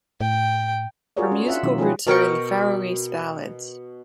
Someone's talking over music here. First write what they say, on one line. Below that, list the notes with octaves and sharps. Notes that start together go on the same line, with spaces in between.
Her musical roots are in the Faroese ballads.
A2 G5
F4 F#4 G#4 A#4 C#5 D5
C#4
F4 E5 F#5
B2 D#3 F#3 C#4 D#4 E4
F3 C#4 F4 G4 G#4 B4
B2 A#4 G5 C#6